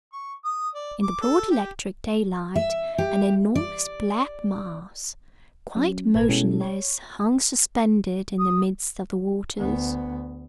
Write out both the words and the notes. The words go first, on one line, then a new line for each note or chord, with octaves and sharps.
In the broad electric daylight, an enormous black mass, quite motionless, hung suspended in the midst of the waters.
C#6
D#6
D5
D6
A4
G4
E5
G4
D5
F#3 C#4
G#1 A#2 A4 B4 G#6
B2 G#3 C#4 E4 G4 A4
C#5
D#6
D2 B3